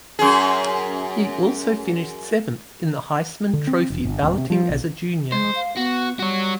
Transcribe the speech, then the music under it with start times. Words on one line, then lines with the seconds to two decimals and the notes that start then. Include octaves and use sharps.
He also finished seventh in the Heisman Trophy balloting as a junior.
0.19 F#2 G#4
3.53 D3
3.67 C4
3.90 F1
4.05 G1
4.23 D1
4.38 C3
4.50 F3
4.69 B1
5.32 G#3 C5
5.55 F5
5.77 B3 F#4
6.19 G3 F#4 C#5